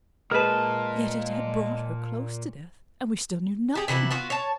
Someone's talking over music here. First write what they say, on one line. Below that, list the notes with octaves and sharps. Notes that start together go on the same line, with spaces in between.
Yet it had brought her close to death,--and we still knew nothing.
A#2 G#3 G#4 A#4 B4 A5
G4 G#4
C3 E3 E4 F#4
B3 F4 F#4
C#5 A5